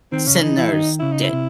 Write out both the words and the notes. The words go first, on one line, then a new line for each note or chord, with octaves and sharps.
Sinners did?
D#3 C4
C#3 C#4
F#3
E3 D#4
E3 E4
D#3 D#4
C#3 E4
D#4
E4
C3